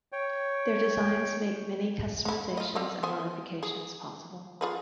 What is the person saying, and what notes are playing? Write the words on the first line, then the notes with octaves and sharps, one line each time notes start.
Their designs make many customizations and modifications possible.
C#5 G5
G#3 E4
F4 D#5
C4 F4 D5
B3 C5 G#5
G#4
F4 G#4 B4